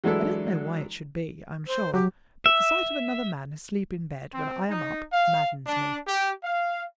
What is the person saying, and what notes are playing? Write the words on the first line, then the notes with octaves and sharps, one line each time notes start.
I don't know why it should be, I am sure; but the sight of another man asleep in bed when I am up, maddens me.
E3 F#3 G#3 D4 E4 A4
C5
F#3 G4
E5
C4
D#4
F5
D4
G4
F5